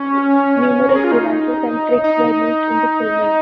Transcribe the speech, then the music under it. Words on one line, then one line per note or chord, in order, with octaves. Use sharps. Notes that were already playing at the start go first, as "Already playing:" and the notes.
Numerous devices and tricks were used in the filming.
Already playing: C#4
A#4
G#4
F4
D#4
D#4